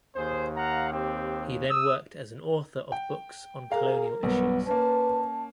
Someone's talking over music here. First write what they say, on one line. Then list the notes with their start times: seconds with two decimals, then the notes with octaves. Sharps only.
He then worked as an author of books on colonial issues.
0.16 D#2 G#4 C5
0.57 F5 F#5 A#5
0.91 C4 G4
1.70 D#6 E6
2.92 G5
3.72 G#4 A#4 F5 A#5
4.23 B1 G2 B3
4.67 A#3 C#4 B4 A5